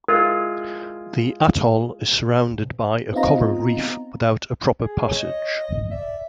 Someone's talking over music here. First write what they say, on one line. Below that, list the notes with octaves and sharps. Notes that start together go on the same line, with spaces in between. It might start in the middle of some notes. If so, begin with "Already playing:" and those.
The atoll is surrounded by a coral reef without a proper passage.
G#3 E4 F4 A#4
B3 C4 D#4 F4 D#5 A#5
G#4
C#5
D#5
D5 E5